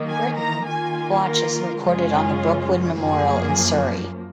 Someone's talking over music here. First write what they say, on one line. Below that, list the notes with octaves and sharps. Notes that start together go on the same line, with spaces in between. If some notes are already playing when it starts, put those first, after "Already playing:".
In Britain, Bloch is recorded on the Brookwood Memorial in Surrey.
Already playing: D#3 A#3 D#4
G#5
A#5
D#3 A#3 F4 G#5
A#4
F#2 C#3 G#3 C#4 F4 G#4
F#2 F3 A#3 G#4